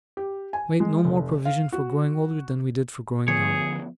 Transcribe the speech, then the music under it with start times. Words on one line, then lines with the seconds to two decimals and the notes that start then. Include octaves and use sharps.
We made no more provision for growing older, than we did for growing younger.
0.17 G4
0.53 G#5
0.80 G#3
1.05 F1
1.45 F5
1.72 F#4
3.28 D3 F3 B3 G#4 C#5